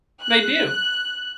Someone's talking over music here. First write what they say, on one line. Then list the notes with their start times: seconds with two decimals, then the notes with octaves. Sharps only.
They do.
0.24 F#6